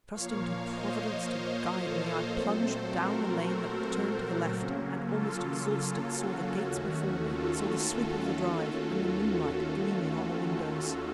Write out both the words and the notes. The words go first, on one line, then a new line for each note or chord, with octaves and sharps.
Trusting to Providence to guide me, I plunged down the lane that turned to the left, and, almost exhausted, saw the gates before me--saw the sweep of the drive, and the moonlight, gleaming on the windows!
A#2 F3 A#3 C#5 F5
C5 D#5
A4 C5
A#2 F#3 A3 C4
F#4 A#4
C#3 F#3 A#3 C#4
F4 A4
F#4
D#2 D#3 A3 C#4
F4 A4